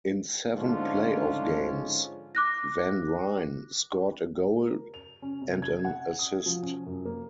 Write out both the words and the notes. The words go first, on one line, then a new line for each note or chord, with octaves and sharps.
In seven playoff games, Van Ryn scored a goal and an assist.
G#2 D3 F3 C#4 D4 F4
D6 F#6 A#6
A#4
F7
C#4
C3
G#6
F#5
D#6
F3
C#4
F#2
A#3